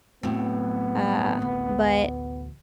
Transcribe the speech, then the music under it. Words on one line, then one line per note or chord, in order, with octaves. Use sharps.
uh, but
A2 F#3 B3 C4
A1 D2